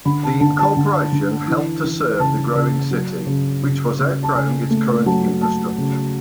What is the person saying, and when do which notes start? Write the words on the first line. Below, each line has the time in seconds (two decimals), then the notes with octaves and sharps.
The incorporation helped to serve the growing city, which was outgrowing its current infrastructure.
0.05 D3 B5
0.23 A5
0.40 D3 A5
0.59 A5
0.77 D3
1.13 D3
1.48 E3
1.84 E3
2.20 C#3 A5
2.55 C#3
2.91 F#3
3.27 C#3
3.64 C#3
3.99 C#3
4.23 A5
4.34 C#3 G#5
4.71 A3
5.06 F#3 A5
5.42 A3 A5
5.78 C#3